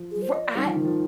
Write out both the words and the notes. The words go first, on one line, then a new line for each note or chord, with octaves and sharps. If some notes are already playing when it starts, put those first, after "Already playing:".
r I
Already playing: F3
G#4
C5
D#5
D5
G3 D#4
F3
D#3
F3